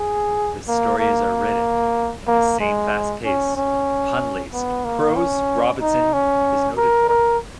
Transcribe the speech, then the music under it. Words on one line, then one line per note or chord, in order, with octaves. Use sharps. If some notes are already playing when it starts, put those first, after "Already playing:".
The stories are written in the same fast-paced, pun-laced prose Robinson is noted for.
Already playing: G#4
A#3
A#3
A#3
G#3
C#4
C#4
B3
A#3
C#4
D#4
C#4
A#4
A#4